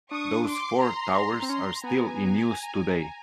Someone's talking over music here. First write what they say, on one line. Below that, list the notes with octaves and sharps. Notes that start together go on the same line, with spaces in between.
Those four towers are still in use today.
D4 C#6 D#6
C6 D6
A#5 C6
C4
C#4 A#5 C6
B3 G#5 A#5